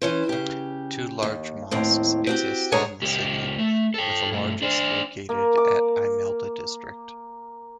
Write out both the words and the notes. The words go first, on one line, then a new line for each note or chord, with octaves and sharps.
Two large mosques exist in the city, with the largest located at Imelda District.
E3 C#4 C5
C#3 G4
D#2
D#2 A2 C4
C4 F#4 G4
G#2 D3 G#4 C#5 F#5 A#5
C#2 G4
A3
A4 G5
G2 A3
D4 C5
A#3
D6